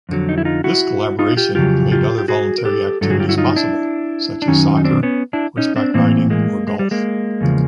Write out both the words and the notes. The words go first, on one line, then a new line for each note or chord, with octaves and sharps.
This collaboration made other voluntary activities possible, such as soccer, horseback riding or golf.
F2 D3 F#3
D#4
E4
D#4 F4
E4 F#4
D#4 F4
F4 G4
F2 C#3 F#3 F4 G4
F4 G4
G4
F#4 G#4
A#4
G4 A4
G2 D3 F#3 A4
F#4 G#4
F4 G4
E4 F#4
D#4 F4
D4 E4
D4
F#2 D#3 F#3 C#4 D#4
D#4
C4 D4
B3 C#4
D4 E4
C#4 D#4
C4 D4
A2 E3 A#3 C4
G#3 A#3
G#3
G3
G#3 A#3
E2 C#3 F3